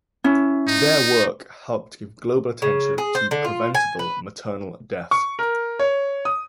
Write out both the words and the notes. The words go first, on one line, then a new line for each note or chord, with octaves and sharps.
Their work helped give global attention to preventable maternal death.
C#4 E4
D#4
C#3
G#4
C5
D3
F4
G#5
B4
C#6
A#4
C#5
D#6